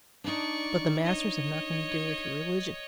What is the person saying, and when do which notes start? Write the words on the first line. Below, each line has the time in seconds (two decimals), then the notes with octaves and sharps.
'But the masters have nothing to do with your religion.
0.24 D4 D#4 D5 C#6
1.04 C#5 D#5